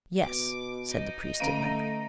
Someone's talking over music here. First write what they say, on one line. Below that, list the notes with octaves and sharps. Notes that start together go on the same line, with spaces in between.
"Yes," said the priest at length.
B2 D6
D#4 D#5
D3 A3 C#4 F5 A#5 D7 D#7